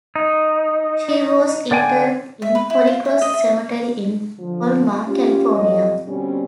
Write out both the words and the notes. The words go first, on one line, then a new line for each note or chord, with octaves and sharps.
She was interred in Holy Cross Cemetery in Colma, California.
D#4
D3 D5 G5 G#5
E5
B4
E4
F4
E5
D#5
E5
D3 F3
C#4 F4 G4
F2 G3 D#5
B2 D3 G3 C4 C#4